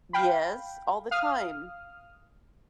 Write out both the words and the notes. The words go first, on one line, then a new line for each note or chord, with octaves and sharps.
Yes, all the time.
F5 G5 B5
F5 D#6 F6